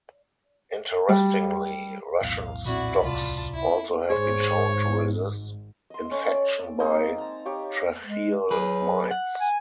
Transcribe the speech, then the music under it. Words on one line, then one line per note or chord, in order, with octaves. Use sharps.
Interestingly, Russian stocks also have been shown to resist infection by tracheal mites.
G3
B1 E2 A2 F5
A#2 C4 E4 F#4 D5 B5
C#2 C3 F4 A5
E4
G#1 G#2 G#4 C5 C#5
D#5 C6
C#4 A4 C#5
D5
G#3 A#3 C4 D#4
A5 A#5
D#4 G4 C#5 F5
G#3
F#3 G#4 B4
F#5
G#5